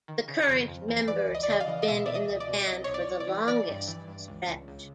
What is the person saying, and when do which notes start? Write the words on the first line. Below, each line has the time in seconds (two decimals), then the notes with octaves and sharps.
The current members have been in the band for the longest stretch.
0.08 D#3
0.28 C#3
0.48 F2
0.68 F2
0.88 E3
1.07 E3 D5
1.28 C#2
1.35 D#5
1.43 D5
1.48 C#3 D#5
1.60 F5
1.67 E3
1.82 D#5
1.88 B2 E5
2.06 B2 D5
2.15 D#5
2.28 C#2
2.40 D5
2.48 B2
2.67 C2 D#5
2.84 C2 C#5
2.94 D5
3.07 C2
3.20 D5
3.27 E3
3.48 E3 D5
3.68 G2
3.88 E3
4.08 G2
4.28 C#2
4.47 C#2
4.68 C#2